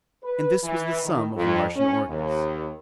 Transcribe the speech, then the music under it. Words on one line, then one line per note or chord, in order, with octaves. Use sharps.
And this was the sum of the Martian organs.
B4
E3
D#3
F2
C#4
D#2